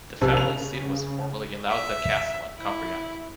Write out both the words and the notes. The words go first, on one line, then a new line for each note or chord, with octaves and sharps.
The family seat was formerly Lowther Castle in Cumbria.
A#1 D#2 C3
C#3 F7
E5
E4